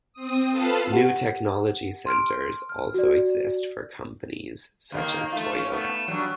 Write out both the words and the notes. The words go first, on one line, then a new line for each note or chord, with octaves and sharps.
New technology centres also exist for companies such as Toyota.
C4 D#6
F4 A4 B4 F5 A5
G4 F#5
C6 F6 D7
F6
F#4 D5
D#2 D#3 A#3
A3 F4
C#4
A3 B3
F#3 G3 D4